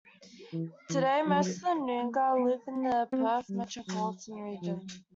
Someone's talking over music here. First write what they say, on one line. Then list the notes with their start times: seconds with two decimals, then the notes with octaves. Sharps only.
Today, most of the Noongar live in the Perth Metropolitan Region.
0.52 E3
0.90 E3
1.27 F#3
2.01 A#3
2.38 B3
2.76 C4
3.12 C4
3.49 G3
3.88 F#3
4.62 F3